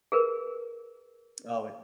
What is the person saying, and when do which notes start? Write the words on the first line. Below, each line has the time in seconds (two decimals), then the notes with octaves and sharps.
Oh, it
0.12 G#4 A#4 B4